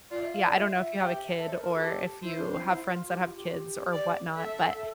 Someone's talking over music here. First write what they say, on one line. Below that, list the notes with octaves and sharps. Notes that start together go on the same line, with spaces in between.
yeah, I don't know if you have a kid or if you have friends that have kids or whatnot, but
F4 D5
E5
F5
D5
F4 E5
G4
A4 E5
C5
A#4
A4
F4
G4 A4
E4 C5
D4
C4
F4
E4
F4
G4
E4
F4
G4
F4
G4
D5
A4 E5